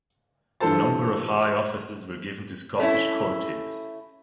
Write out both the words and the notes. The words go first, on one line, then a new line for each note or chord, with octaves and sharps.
A number of high offices were given to Scottish courtiers.
G2 E3 F4 A4 C5 A5
A3 C#4 E4